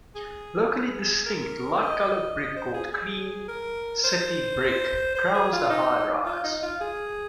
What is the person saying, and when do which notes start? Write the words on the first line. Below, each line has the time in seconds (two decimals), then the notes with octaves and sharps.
Locally distinct light colored brick called Cream City brick crowns the high-rise.
0.15 G#4
0.71 G#4
1.26 A#4
1.82 D#5
2.37 D#5
2.56 C5
2.74 G#4
2.92 G#4
3.48 A#4
4.04 C5
5.15 C5
5.34 G#4
5.52 F4
5.70 D#4
6.26 F4
6.44 D#4
6.63 F4
6.81 G#4